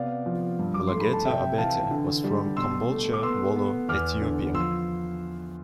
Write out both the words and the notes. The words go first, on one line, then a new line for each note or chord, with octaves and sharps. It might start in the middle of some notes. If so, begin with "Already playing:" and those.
Mulugeta Abate was from Kombolcha, Wollo, Ethiopia.
Already playing: C3 B3 D5 F5
F3
G2
D6
A3 C6
B5
A5
C3 E5 G5
E3 F5 A5
D3
G3
B2 C6 E6
A3
D6
B3 C6 E6
B3
E2 D6 F6
D3
F3 C6 E6